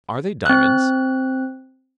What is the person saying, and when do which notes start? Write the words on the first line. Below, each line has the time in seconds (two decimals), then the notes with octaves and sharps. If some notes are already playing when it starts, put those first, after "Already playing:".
"Are they diamonds?"
0.46 C4 F#6